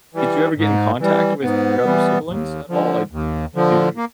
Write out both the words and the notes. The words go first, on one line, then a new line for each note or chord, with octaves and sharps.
did you ever get in contact with your other siblings at all? Like, d do you
E3 G3
G#2
E3 G3
G#2 B3
E3 G3
D#2
D3 F3
D#2
D3 F3
A#3